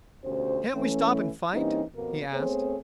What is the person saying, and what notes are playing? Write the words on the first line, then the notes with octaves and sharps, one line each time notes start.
"Can't we stop and fight?" he asked.
D2 B2 C#4 G4 C5
E3 A3 C#4
E3 G3 A#3 C4 C#4 D#4
F2 B2 A#3
A3 B3 C4 G#4 C5 C#5